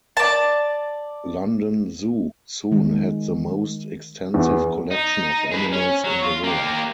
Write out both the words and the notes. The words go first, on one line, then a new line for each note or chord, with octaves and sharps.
London Zoo soon had the most extensive collection of animals in the world.
D5 A5
D#3 G#3
E2
D#4
G#4 B4
C#4
F#3
F4
A#3 G4